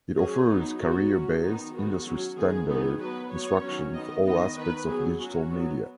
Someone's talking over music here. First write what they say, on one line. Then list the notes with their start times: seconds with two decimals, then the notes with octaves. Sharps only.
It offers career-based, industry-standard instruction for all aspects of digital media.
0.16 F#3 C#4 G#4
0.48 F#3 B3 D#4
0.79 F#3 B3 F#4
1.11 F#3 C#4
1.42 D#3 B3 D#4
1.74 D#3 G#3 B3 F#4
2.05 F#3 C#4
2.36 D#3 B3 G#4
2.68 D#3 B3 G#4
2.99 F#3 B3 B4
3.30 F#3 B3 C#5
3.62 D#3 F#3 C#4
3.93 D#3 B3 D#5
4.25 D#3 B3 D#5
4.56 D#3 B3 B4
4.87 F#3 B3 G#4
5.19 F#3 C#4 F#4
5.50 F#3 B3